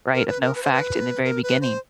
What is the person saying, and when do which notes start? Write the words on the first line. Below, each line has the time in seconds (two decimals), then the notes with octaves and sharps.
right, of no fact in the very beginning,
0.14 A#4
0.28 B4
0.41 A#4
0.55 B4
0.63 C5
0.72 B4
1.24 A#4
1.43 B4
1.61 C5